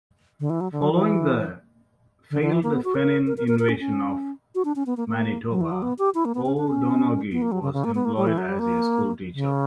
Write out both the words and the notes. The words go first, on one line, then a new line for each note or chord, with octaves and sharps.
Following the failed Fenian invasion of Manitoba, O'Donoghue was employed as a schoolteacher.
D3
E3
F#3
D3
F#3
E3
D3
D3
E3
A#3
B3
F#4
A#4
A#4
A#4
A#4
A#4
C#4
C#4
F#4
D4
C#4
B3
A#3
A#3
F#3
E3
F#3
B3
G4
E4
A#3
B3
C#4
D4
C#4
B3
A#3
F#3
C#3
C#3
A#3
B3
A#3
G3
E3
F#3
G3
A#3
C#3